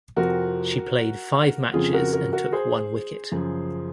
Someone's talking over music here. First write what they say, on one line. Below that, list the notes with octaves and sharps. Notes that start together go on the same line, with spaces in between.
She played five matches and took one wicket.
F2 C3 F3 F#4 A#4
F2 C#3 F3 F4 G#4
F#4 A#4
F#4 A#4
F#4 A#4
G#4 C5
F#2 C#3 F3